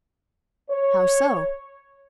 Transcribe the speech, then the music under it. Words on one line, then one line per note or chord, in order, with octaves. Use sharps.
"How so?"
C#5